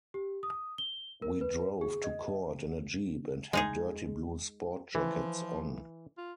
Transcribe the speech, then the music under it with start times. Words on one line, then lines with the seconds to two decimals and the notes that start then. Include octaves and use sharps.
We drove to court in a Jeep and had dirty blue sport jackets on.
0.14 G4
0.43 D#6
0.78 G7
1.22 A#4
1.41 B4
1.81 G#4
2.04 D#5
3.53 G#3 D#4 G#4
4.95 E3 F3
6.18 F4